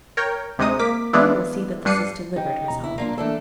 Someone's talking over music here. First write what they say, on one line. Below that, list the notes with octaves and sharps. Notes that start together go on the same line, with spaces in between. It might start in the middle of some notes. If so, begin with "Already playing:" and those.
"You will see that this is delivered, Miss Holland."
A#4 C#5 G5
D2 C3 G#3 D#4 D#6
A#3 D6 B6
E3 G#3 B3 D4 E4 F4
G2 G3 D4 C7 C#7 D#7
D#4 G4 G5
C#2 B2 A#5
E4
A#3 D4 F4
E3 A3 A#3 D4 A4